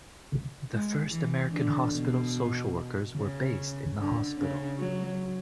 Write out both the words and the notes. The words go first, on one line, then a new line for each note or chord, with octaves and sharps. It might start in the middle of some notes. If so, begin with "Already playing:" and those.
The first American hospital social workers were based in the hospital.
G#3
E3
D3
B2
C#3
D3
C#3
F#3